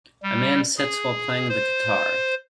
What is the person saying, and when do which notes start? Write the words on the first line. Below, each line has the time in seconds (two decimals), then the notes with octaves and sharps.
A man sits while playing the guitar.
0.23 G3
0.78 G#4
1.49 C5